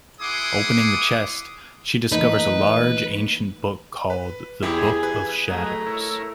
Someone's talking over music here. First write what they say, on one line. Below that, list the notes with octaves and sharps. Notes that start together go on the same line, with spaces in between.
Opening the chest, she discovers a large, ancient book called the "Book of Shadows".
E4 G#4 F#5 C6 D6 D#6
E3 A3 A#3 D#4 B4
B4
E2 E4 G4 G#4 G#5
B4
F#3 A3 G#4 D#5 A#5
E4 A#4 C#5